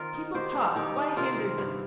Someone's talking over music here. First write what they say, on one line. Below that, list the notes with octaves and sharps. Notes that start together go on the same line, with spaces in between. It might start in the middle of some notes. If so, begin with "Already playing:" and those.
People talk, why hinder them?
Already playing: D#3 C4 F4 A#4
D#4
D#3 G4 C5
D#4
D#3 D#4 G4
D#4
C3 F4 A#4
C4
G2